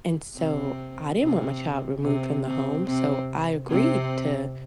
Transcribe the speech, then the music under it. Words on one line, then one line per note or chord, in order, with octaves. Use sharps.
and so, I didn't want my child removed from the home, so I agreed to
C3 C4
C3 C4
C3 C4
C3 C4
C3 C4
C3 C4